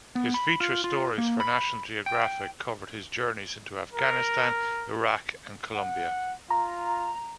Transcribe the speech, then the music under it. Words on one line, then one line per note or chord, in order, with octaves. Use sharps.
His feature stories for National Geographic covered his journeys into Afghanistan, Iraq and Colombia.
B3
B5
F4
F4
A#3
B5
G5
A#4
F#5
F4 A#5